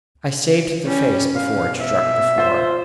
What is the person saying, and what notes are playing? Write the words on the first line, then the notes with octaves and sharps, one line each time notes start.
I saved the face before it struck the floor.
G3 C#4
B2 F5
E5
F4 C5